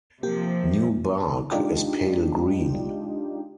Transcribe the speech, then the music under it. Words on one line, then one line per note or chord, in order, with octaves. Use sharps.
New bark is pale green.
C3 F3 A#3 G4
G#3 D4 D#4 F4 G4